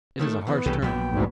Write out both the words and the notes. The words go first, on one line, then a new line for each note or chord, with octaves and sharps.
It is a harsh term.
D#2 D#3 A3
E2 E3 B3
C2 C#3 E3 G4 A4
A#1 F#3 B3 G5
D2 G#2